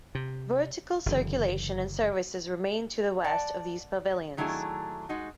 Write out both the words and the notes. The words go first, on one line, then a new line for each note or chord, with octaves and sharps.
Vertical circulation and services remain to the west of these pavilions.
C3
F#1 D3 E3
D5 F#5 A5
D#3 F#3 A3 D4 E4 G#4
G#3 D#4 F#4